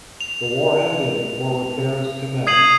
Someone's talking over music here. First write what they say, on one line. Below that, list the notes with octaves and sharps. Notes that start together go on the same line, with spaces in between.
The war ended before repairs commenced.
F7
D#6 G#6 C7 D#7 F7 F#7